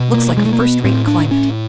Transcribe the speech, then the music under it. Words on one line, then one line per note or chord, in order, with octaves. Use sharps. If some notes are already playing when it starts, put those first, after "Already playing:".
Looks like a first-rate climate.
Already playing: B2
A#3
G#3
A3
A#3
B3
A2 C4
D4
C#4